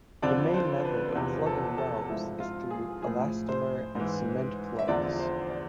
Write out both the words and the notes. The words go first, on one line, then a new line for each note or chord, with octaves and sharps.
The main method of plugging wells is through elastomer and cement plugs.
F2 D3 F3 D5
C5
B4
E2 C3 F3 B4
A4
A4
G#2 F3 E4
F4
G#4
A2 F3 G#4
C5
G#2 E3
E5
E2 D3 F3 D5
C5
D5